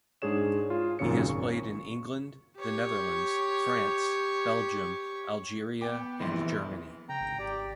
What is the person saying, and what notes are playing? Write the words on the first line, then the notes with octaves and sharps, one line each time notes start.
He has played in England, the Netherlands, France, Belgium, Algeria and Germany.
G#2 D4 G#4 C#5 E7
F4
G#1 F#2 A#2 C#3 C#5 C#7
C#6
G4 C#5
B3 G5 D6
F1 A#1 E3 F3 C6
C#3 G5 A#5
G#1
G4 D5